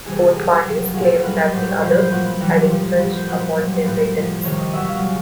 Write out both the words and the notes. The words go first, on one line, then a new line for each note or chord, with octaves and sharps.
Both parties claimed that the other had infringed upon their patents.
C3 E3 G3 G#4
A4
G#4
B2 F#3 A#4
A#4
C3 F3
A#2 F#3 G#4
A4
A#4
A#2 G3 B4
B4
A2 F#3 C5
C#5
C3 F3 C5
B4
C5
A#2 F#3 B4
B4
C3 E3 G3 A#4
A#2 F3
A2 F3 B4
C5
A#2 F#3 B4
A#2 G3
A2 F3 B4
C3 F3
C3 D#3 G3 C#5
D#5
B2 F#3 E5
F5
C#3 F#3